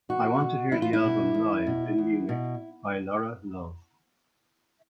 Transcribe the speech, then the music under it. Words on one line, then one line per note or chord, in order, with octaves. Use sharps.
I want to hear the album Live In Munich by Laura Love.
E2 F#4
B2
E2 E4
F4
E4
B2
E2
B2
E2
B2